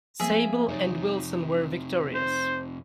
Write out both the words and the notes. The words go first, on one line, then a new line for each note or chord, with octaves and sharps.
Sable and Wilson were victorious.
F3 A#3 C4 G#4 E5
F2 C3 D#4 C#5 D5
C5